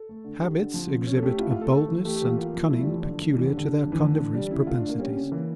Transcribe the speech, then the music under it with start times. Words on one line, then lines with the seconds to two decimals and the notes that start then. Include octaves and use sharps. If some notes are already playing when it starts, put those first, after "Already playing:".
Habits exhibit a boldness and cunning peculiar to their carnivorous propensities.
Already playing: A4
0.09 A3
0.24 D3
0.41 G3
0.57 D3
0.74 F3
0.90 C#3
1.07 C#4
1.16 A4
1.22 A3 G4
1.39 E4 F4
1.51 F4
1.56 A3 A4
1.72 A3 A4
1.88 E3
2.05 A3 G4
2.16 G4
2.22 E3
2.27 F4
2.37 A#3 F4
2.54 F3
2.70 A3 E4
2.81 G3
2.87 F3
2.92 E3
3.03 D3 D4
3.20 A3
3.36 E3 D4
3.46 D3
3.52 G3
3.58 D3
3.69 C#4
3.86 F3
3.92 E3
4.01 D3 A3
4.17 E3
4.34 E3 G3
4.51 C#3 E4
4.67 A3 F4
4.78 D3 D4
4.89 A#3
4.99 G3 C#4
5.16 C#3
5.32 E3 A#3